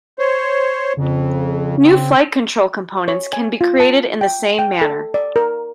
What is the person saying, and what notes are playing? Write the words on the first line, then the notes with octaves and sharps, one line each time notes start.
New flight control components can be created in the same manner.
C5 C#5
F2 C#3
C4
C#5
G#5
F4
A5
G5
G5
A4
D5
A#4